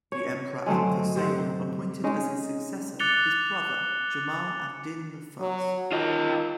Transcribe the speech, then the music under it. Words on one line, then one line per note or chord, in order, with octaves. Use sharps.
The Emperor Amda Seyon appointed as his successor his brother, Jamal ad-Din the First.
C#5
G2 D3 F#3 G#3 A3 C4
C3 C4 F#5
G#3 C#4 D#4
D6 F#6 A6 C#7 F7 G7
F#3
D#3 F4 D#5